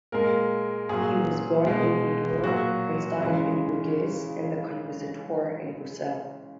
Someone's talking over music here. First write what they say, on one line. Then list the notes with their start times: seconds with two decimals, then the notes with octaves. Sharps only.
He was born in Bordeaux and studied in Bruges and the conservatoire in Brussels.
0.12 A#2 G#3 A#4
0.89 A#2 F#3 G#4
1.66 B2 G#3
2.44 A#2 F#3 F#4
3.20 C#3 E3 G#3